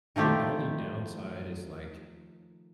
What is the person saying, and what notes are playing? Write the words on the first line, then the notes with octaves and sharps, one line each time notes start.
ju The only downside is, like
D#3 F3 A3 G4